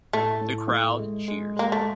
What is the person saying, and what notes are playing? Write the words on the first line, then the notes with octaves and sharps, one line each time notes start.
The crowd cheers.
A2 A3
A2
A3
G#3
G#3
G#3 A#3
A3